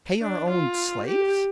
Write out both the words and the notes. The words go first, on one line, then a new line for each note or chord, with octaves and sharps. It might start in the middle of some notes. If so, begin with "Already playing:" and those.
"Pay our own slaves?"
D4
F4
G4